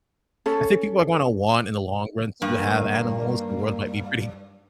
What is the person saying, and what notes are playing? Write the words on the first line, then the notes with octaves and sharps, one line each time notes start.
I think people are gonna want in the long run to have animals, the world might be pretty
C#4 A4
G2 A#3